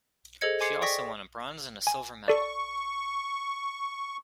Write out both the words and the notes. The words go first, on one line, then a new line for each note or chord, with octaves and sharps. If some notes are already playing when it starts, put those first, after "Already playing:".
She also won a bronze and a silver medal.
G#4 A4 C5 D#5 G#6 C#7
G#5 C6 D6 G#6 C7 C#7
D5 G5 C#6 D#6 A#6 B6
G#5
A4 D5 C#6